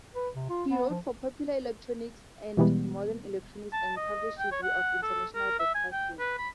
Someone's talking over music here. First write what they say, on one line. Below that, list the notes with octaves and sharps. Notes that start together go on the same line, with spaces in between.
He wrote for "Popular Electronics" and "Modern Electronics", and published "Review of International Broadcasting".
B4
C3
F4
B3
F3
B2 E3 G3 G#3 B3
A5
D#5
G5
C#5
F#5
A4
A#4
E5
G#5
G5
B4
B5